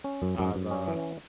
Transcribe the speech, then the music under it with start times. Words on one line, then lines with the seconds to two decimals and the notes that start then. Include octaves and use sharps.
I've, uh
0.04 C#4
0.22 F#2
0.39 F#2
0.55 F#2
0.71 C#4
0.88 E3